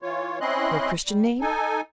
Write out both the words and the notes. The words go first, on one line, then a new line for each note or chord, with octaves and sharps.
"Your Christian name?"
E3 F4 C#5
C4 C#4 E4 D#5 C6 F#6
G3
D#4 A4 G#5